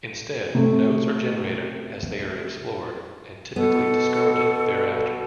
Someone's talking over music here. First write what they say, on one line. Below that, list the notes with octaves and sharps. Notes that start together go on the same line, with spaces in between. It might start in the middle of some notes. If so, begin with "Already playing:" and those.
Instead, nodes are generated as they are explored, and typically discarded thereafter.
C3 A3
B2 B3 A4